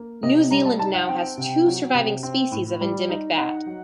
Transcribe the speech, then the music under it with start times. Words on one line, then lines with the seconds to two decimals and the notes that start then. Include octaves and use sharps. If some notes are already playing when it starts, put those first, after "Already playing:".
New Zealand now has two surviving species of endemic bat.
Already playing: A#3
0.23 C3 D#5
0.51 G3 A#5
0.65 A5
0.79 D#4 A5
0.94 F#5
1.09 C4 G5
1.38 C3
1.66 F#3
1.94 C3
2.23 C4
2.52 A2
2.81 G3
3.09 D#4
3.37 D#4 F#5
3.66 F#3